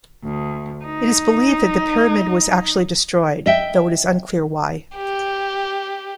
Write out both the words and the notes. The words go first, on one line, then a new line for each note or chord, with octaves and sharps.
It is believed that the pyramid was actually destroyed, though it is unclear why.
D2
D#4
D#5 E5 G5
G4